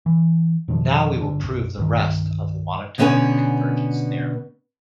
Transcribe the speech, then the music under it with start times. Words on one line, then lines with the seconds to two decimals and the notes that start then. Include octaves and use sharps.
Now we will prove the rest of the monotone convergence theorem.
0.06 E3
0.68 F2 B2 D#3 F3
1.21 G1 D3 D4
1.42 B1 F#2
1.77 C2 G2 D#3
2.98 B2 D3 B3 C#4 G#4 G#5